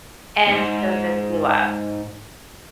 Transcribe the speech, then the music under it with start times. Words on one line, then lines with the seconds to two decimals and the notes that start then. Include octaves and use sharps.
And so this blew up.
0.47 D#2 G#2